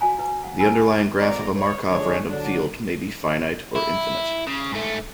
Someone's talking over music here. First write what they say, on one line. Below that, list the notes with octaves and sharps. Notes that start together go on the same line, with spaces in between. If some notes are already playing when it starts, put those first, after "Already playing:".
The underlying graph of a Markov random field may be finite or infinite.
F#4 C#5 F5 G#5 A#5
E4 B4 F5
F5 F#5
F#5 G#5 B5 E6
D#4 E4
G#1 F2 D5 A#5
B4 C#5
D3 F3 G#3 D4 G#4 C#5
D3 F#3 D4
E4
C#3
G#2 A3